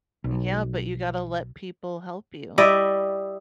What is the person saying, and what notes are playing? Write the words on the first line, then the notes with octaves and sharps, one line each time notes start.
yeah, but you gotta let people help you.
B1
G3 E4 D5 D#5